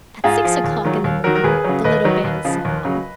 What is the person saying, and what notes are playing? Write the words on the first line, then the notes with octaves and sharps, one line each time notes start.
At six o'clock in the morning the little band set out.
G#2 F4 G#4
F3
D#2
D#3 F#3
D#2
D#3 F#3 F#4 A#4
A#4
D#2 G#4 B4
C#3 F#3
D#2 B4 D#5
D#3 F#3
D#2
C#3 F3
D#2
C#3 F#3